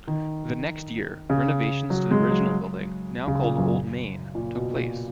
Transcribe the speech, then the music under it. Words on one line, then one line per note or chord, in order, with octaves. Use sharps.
The next year, renovations to the original building, now called Old Main, took place.
D#3
C#3
F#3
G#3
F#3
C#3
A#2
F#2
A#2
B2
A#2